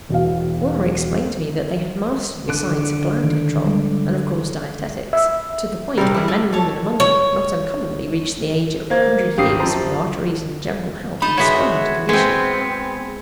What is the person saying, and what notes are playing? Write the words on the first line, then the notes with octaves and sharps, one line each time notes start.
Wilma explained to me that they had mastered the science of gland control, and of course dietetics, to the point where men and women among them not uncommonly reached the age of a hundred years with arteries and general health in splendid condition.
E1 B2 F5
D3 F#6
D#3
F3 G3 G#3
E5
C3 G3 C4 A#4
E4 G#4
A3
A4 C#5
C#5
A#3 C5 F5 G#6
G#1 G4 F5 D#6 C7
F#2 F3 C5 A5 A#5
D#4 D#5 A5 B5
G#3 B3 F#4 C#5 E5
G#3 B3 C4 G#4